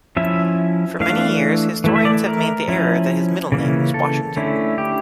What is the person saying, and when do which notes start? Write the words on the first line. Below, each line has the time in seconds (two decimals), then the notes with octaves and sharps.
For many years, historians have made the error that his middle name was Washington.
0.17 F3 C#4 E4 E5
1.00 E3 A3 D4 F5
1.84 E3 A3 E4
1.96 E5
2.05 D5
2.26 A#4
2.68 F3 C#4 E4
3.52 C#3 E3 A#3 C#4
3.94 A4
4.37 D3 A3 C#4 E4
4.78 G4